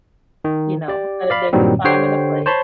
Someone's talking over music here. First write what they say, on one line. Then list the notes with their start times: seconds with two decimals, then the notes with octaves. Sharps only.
You know, uh, there's a time and a place.
0.44 D#3
0.88 G4 D5
1.30 D5 F5 B5
1.53 G2 A#2 D#3 F#3 G3 C4
1.84 D3 G4 C5 C#5 G5 C7
2.46 C5 C#5 A5 B5 C6